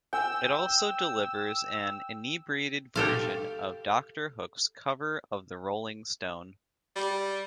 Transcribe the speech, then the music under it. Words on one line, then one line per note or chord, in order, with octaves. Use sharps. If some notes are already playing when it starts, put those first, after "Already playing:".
It also delivers an inebriated version of Doctor Hook's Cover of the Rolling Stone.
G5 G#5 E6
G4 A4 F5
G3